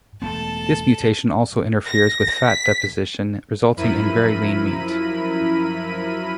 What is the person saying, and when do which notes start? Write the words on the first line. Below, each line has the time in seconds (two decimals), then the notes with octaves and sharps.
This mutation also interferes with fat deposition, resulting in very lean meat.
0.22 E1 A3 B3 A4 A5
1.86 A#6
2.49 B6
3.76 F#2 F3 E4 A#4 B5 D#7